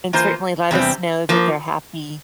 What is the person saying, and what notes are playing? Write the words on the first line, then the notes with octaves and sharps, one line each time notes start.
and certainly let us know that they're happy.
E3 A#3 F4 C5
E2 C3 G3 C4
F3 A#3